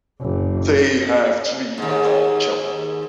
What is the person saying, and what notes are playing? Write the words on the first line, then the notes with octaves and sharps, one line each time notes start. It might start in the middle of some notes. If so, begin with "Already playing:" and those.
They have three adult children.
F#1
D#2 G#2